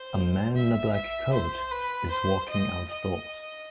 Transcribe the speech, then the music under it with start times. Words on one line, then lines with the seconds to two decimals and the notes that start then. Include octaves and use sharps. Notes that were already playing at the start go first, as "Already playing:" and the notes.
A man in a black coat is walking outdoors.
Already playing: C5
0.55 E5
0.94 E5
1.33 C5
1.71 B4
2.11 C5
2.50 D#5
2.89 D#5